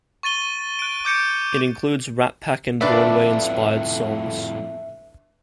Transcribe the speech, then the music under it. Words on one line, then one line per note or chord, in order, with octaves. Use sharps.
It includes Rat Pack- and Broadway-inspired songs.
C#6 A6 D#7 G7
F#6 D7
D6 G6 C#7 D7
F2 A2 D4 B4 D5 E5